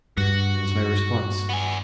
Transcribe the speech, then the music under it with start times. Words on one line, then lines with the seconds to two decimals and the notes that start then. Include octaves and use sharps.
There was no response.
0.17 G2 F#4
1.49 B3 G#5